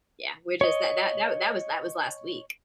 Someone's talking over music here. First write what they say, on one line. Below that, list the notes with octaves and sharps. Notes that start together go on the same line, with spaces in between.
yeah, we're just that that that that was that was last week.
C#5 D#5